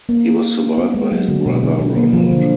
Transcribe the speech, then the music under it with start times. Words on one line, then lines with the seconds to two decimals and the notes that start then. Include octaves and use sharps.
He was survived by his brother Ronald.
0.09 A#3
0.78 B3
0.94 G#3
1.12 F#3
1.28 D3
1.46 B2
1.63 D3
1.79 D#3
1.96 A#3
2.13 F3
2.31 D3